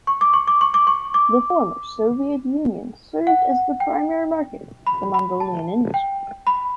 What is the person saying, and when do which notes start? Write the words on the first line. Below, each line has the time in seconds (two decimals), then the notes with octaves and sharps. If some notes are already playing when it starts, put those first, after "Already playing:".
The former Soviet Union served as the primary market for Mongolian industry.
0.07 C#6
0.21 D6
0.34 C#6
0.48 D6
0.61 C#6
0.74 D6
0.87 C#6
1.14 D6
3.27 F#5
3.80 G5
4.87 B5
5.14 B5
5.40 A5
5.94 G5
6.47 B5